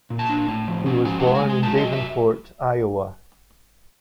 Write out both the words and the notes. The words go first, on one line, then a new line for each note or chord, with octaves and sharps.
He was born in Davenport, Iowa.
A#2
A5
D4
A2
F3
C#4
F3 G#5
F#5
G#3
G#5
G#3 G#5
F#3 A5
D#5
F#3
E5